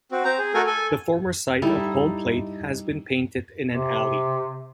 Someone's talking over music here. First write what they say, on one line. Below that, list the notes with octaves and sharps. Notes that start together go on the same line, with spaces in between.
The former site of home plate has been painted in an alley.
C4 F#4
C4 C5 A#5
G#4
A3 F#4 A4 A#4 G#5
A4 G#5
G3 D#4 E4 A4
C3